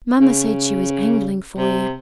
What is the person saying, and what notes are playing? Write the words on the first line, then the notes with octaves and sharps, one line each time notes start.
Mamma said she was angling for you.
C#3
C3